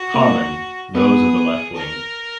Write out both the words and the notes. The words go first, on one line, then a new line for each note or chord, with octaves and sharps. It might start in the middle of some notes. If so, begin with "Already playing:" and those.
Common, those of the left wing.
Already playing: F#4
A#3
B3 G#4
A#4